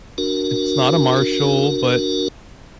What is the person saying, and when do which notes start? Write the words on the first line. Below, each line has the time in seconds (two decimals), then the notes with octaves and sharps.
it's not a Marshall, but
0.18 D4 F#4 A#4